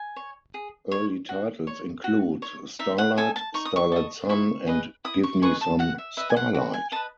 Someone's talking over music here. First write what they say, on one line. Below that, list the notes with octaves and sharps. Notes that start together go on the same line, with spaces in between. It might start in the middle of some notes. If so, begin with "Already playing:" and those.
Early titles include "Starlight", "Starlight Sun" and "Give Me Some Starlight".
Already playing: G#5
C#5
G#4
C#5
F#4
C#5
F#4
C#5
D#4 E5
F#5
A4 D#5 G#5
A5
D#4 C#6
D#6
C#6
A4 D#5
E4 C#6
G#4 B4 D#5
E4 D#6
C#6
G#4 B4 D#5 C#6
A5
F#4 F#5
E5
B4 D#5 E5
G#5
F#5
F#4
G#5
B4 D#5 A5